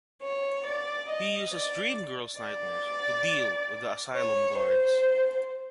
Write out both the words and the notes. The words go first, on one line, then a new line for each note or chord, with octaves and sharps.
He uses Dream Girl's nightmares to deal with the asylum guards.
C#5
D5
D#5
D5
D5
C#5
C5